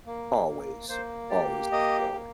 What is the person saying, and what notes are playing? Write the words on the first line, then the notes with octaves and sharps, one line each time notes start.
Always, always exploring.
A#3
A#3
A#3 C5
G4 D5
A#3 D#5
A#3